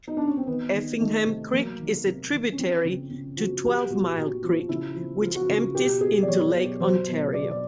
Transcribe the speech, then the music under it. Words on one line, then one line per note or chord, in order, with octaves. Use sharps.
Effingham Creek is a tributary to Twelve-Mile Creek, which empties into Lake Ontario.
D#4
D4
C#4
C4
D#3 B3
D#3
D#3 A3
C3
F#3 A#3
D#3
C3
D#3
C#4
F3 C4
C#3
C#3 C#4
F3 F#4
F3 G4
A#2 F#4
A#2 F#4
F3 F4
C#3 E4
F3
F3 F4
F#4
C#3 F4
B2 G4
B2 G#4
D5
F#3 C#5
B2
F#3 C5
B2
B2 D5
D5